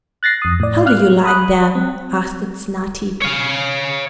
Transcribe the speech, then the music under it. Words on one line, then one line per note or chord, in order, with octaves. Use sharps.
'How do you like them?' asked Snati.
F#6 A6 A#6 C7
F2 D#6
A2 D5
F5 F6 F#6
B5 D#6 F#6
C4
C#5 F5